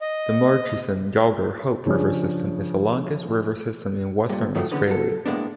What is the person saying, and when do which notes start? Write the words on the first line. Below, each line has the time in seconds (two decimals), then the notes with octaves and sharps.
The Murchison-Yalgar-Hope river system is the longest river system in Western Australia.
0.01 D#5
1.86 C#3 F3 D4 G#4 C#5
4.29 G2 A#2
4.55 D#3 F3 F#3 A3
4.71 E2 D3 B3 C#4
4.87 F#3 A4
5.26 A2 G#3 A#3 B3 D4